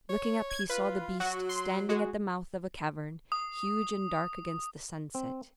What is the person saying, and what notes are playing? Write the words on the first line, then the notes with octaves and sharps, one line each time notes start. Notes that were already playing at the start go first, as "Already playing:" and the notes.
Looking up he saw the beast standing at the mouth of a cavern, huge and dark against the sunset.
C#5
G#6
F4 B4
F#3 F#4
C6
G#3 F#4
D#6
C4